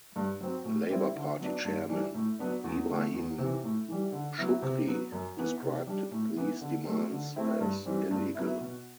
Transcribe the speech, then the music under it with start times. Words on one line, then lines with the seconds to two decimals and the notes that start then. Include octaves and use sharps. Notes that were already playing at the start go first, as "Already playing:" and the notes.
Labor Party chairman Ibrahim Shoukry described these demands as illegal.
0.16 G2
0.41 F#3 C4
0.65 A2
0.90 G3 C4 E4
1.15 D3
1.40 F#3 B3 D4
1.65 G2
1.89 E3 G3 D4
2.14 A2
2.39 F#3 B3 D4
2.64 E2
2.88 D3 A3
3.13 E2
3.38 C3 E3
3.63 A2
3.88 E3 G3
4.12 D3
4.38 F#3 B3 E4
4.62 C3
4.88 F#3 B3
5.12 F#2
5.37 E3 B3
5.62 C3
5.87 G3 D4
6.11 A2
6.36 E3 B3
6.61 D3
6.86 F#3 A3
7.12 D3
7.36 A3 C4 E4
7.61 G2
7.85 E3 G3 C4
8.11 G2
8.35 F#3 B3 E4
8.60 B2